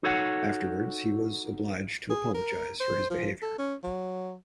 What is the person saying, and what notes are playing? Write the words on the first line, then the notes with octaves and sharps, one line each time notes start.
Afterwards, he was obliged to apologize for his behaviour.
D#4 F#4 A4 C#5 E5 F#5
G#4
A#4
C5
F3
A4
C#4
F#3